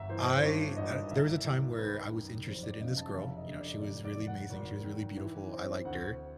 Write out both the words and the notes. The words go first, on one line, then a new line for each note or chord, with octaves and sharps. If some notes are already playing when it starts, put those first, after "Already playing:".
I uh, there was a time where I was interested in this girl, you know, she was really amazing, she was really beautiful, I liked her.
Already playing: G1 E5 A#5
E3 C5
C5
G2 C#5
G#1 D#5
C2 E5
C2
D#3 B4
F#2
F1 C5
D5
C#3 D#5
A5
F5
F1 E5
D#5
D3
D5
F1 D5
D5
F1
F#5
G#1
D#3
E3
C4
D2 F#5